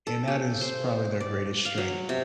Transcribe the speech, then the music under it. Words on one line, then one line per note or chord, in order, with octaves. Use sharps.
and that is probably their greatest strength.
A4
G4
C5
D5
F5
F#3
C3